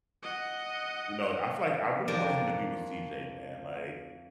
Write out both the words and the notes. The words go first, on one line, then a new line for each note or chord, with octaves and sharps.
you know, I feel like I really wanted him to be with CJ, man, like
D#5 F#5
F2 D4 F4 A#4 C5 D5